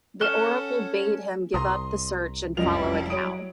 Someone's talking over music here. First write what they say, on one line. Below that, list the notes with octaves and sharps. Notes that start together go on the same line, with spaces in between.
The oracle bade him give up the search and follow a cow.
C#4 A4 F#5 C#6 F6 F#6 E7 G7
C2 A#5 C6 D#6
F1 F#2 F3 G3 E4 D#5 F7
F#3 C#5 D#6 D7